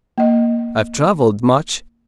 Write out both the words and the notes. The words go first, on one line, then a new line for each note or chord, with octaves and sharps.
I've travelled much.
A#3 D#5